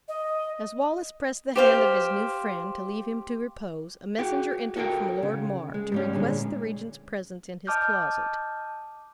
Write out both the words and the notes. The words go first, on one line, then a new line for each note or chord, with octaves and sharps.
As Wallace pressed the hand of his new friend, to leave him to repose, a messenger entered from Lord Mar, to request the regent's presence in his closet.
D#5
G4 C5 F5
F#4 G#4 G5
F#4 A4 A#4 E5 G5
C#3
G#3
G#2 G3 C#4
A#2 D3 G#3
D#5 A5 D6 F6 G6